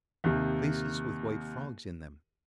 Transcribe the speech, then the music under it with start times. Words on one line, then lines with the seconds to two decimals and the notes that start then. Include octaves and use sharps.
Places with white frogs in them.
0.24 D#2 C3